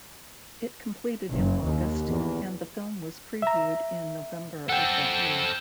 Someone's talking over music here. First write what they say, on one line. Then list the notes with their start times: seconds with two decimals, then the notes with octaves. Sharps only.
It completed in August and the film was previewed in November of that year.
1.31 F#1
1.64 D#2
2.10 E2
3.42 E5 A#5
4.69 C4 A4 F#5 G5